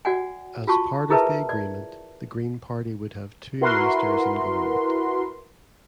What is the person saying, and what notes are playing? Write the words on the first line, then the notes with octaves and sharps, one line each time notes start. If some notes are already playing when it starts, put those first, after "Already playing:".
As part of the agreement the Green Party would have two ministers in government.
F#4 D5 F#5 G#5
F4 F#4 A5 C#6
E4 G#4 A#4 B4 E5 A5
D5
E4 F#4 A#4 B4 C6